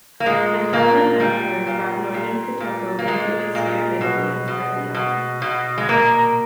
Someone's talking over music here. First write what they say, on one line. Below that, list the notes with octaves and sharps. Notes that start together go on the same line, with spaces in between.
The Kanem Empire brought northern Kotoko into its sphere of influence early on.
A#3
A#2 G#3
A#2 A#3
A#2 G3
A#2
A#2
A#2
A#3
A#2 G#3
A#2
B2
B2
B2
B2
G#3
A#2 A#3